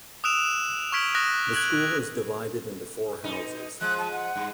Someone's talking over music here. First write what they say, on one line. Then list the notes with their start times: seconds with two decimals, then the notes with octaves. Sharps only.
The school is divided into four houses.
0.24 D#6 E6 F#6 D7 E7 F7
0.92 C#6 F6 G#6 B6 D7 F#7
1.15 D#6 F#6 A#6 E7
1.54 F#6 G#6 F#7
3.24 B2 D#4
3.81 F3 G#3 F#6
3.98 A5
4.12 F#5
4.36 G2